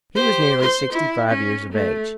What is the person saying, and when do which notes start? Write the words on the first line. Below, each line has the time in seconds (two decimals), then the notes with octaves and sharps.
He was nearly sixty-five years of age.
0.15 G4 C5
0.61 C5 C6
0.92 E4
1.29 C#4
1.72 A3